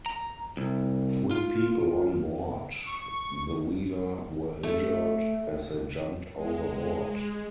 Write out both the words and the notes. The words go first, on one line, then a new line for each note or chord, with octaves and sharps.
Three people on board the wheeler were injured as they jumped over board.
A#5
C2
F4
C#6
A3
G#3